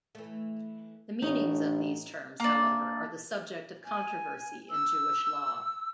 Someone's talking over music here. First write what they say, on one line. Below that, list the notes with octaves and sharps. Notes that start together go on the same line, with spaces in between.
The meanings of these terms, however, are the subject of controversy in Jewish law.
E3 A3
A1 D4 D#4 C#5
A#3 D4
G#5
E6